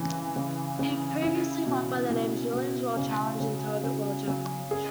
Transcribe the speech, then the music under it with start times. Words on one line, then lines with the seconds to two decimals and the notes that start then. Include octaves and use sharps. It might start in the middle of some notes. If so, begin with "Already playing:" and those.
It previously went by the names Williams World Challenge and Target World Challenge.
Already playing: C#3 E3
0.36 C#3
0.79 C#3
1.22 E4
1.67 B2
2.10 B2
2.54 B2
2.97 C#3
3.40 C#3
3.83 C#3
4.28 C#3
4.71 G#4